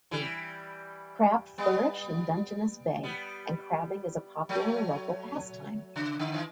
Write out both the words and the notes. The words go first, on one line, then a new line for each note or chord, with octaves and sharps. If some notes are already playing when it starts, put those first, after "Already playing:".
Crab flourish in Dungeness Bay, and crabbing is a popular local pastime.
E3 G3
G3 B3
G3 B3
F#3 A3
C#3
D3
E3